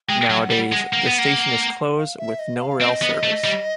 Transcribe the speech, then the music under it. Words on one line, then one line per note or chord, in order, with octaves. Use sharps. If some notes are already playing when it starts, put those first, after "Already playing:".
Nowadays, The station is closed with no rail service.
G#3 G5
F#3 F#5
G3
G#3
A#3
B3
A#3
F5
E5
D#5
F#5
F5
C4 D#5
B3
A3
G3